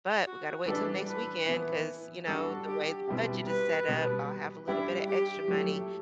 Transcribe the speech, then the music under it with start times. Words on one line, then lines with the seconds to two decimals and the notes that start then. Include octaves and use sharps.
But we gotta wait till next weekend ‘cause, you know, the way the budget is set up, I'll have a little bit of extra money
0.27 F#4
0.66 E3 G3 D4 G4 A4 B4
1.07 B4
1.46 E3 B3 E4
2.27 G3 D4 F#4 A4
2.67 G4
3.08 B2 G3 C4 E4 G4
3.47 B4
3.88 B2 G3 B3
4.68 G3 D4 E4 G4
5.08 G4
5.48 F#3 A3 E4 A4